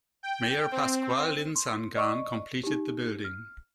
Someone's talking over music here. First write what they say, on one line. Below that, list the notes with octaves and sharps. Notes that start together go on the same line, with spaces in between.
Mayor Pascual Linsangan completed the building.
G5
C4
C6
D5 D#5 C#6
D#4 G4
F6